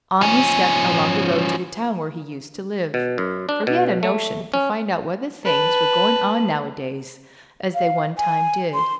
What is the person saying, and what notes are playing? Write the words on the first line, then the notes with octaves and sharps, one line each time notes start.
On he stepped along the road to the town where he used to live, for he had a notion to find out whether things were going on nowadays as they one time did.
F3 C#4
B2
F#2
D4
B2
A3
C#4
B4 A5
F5
G#5
C6